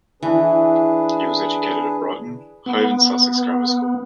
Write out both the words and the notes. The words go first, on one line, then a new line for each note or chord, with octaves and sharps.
He was educated at Brighton, Hove and Sussex Grammar School.
E3 D4 G#4 B4
B3